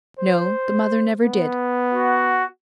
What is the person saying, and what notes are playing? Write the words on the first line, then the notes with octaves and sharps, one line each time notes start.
No, the mother never did.
C5
B3
F#4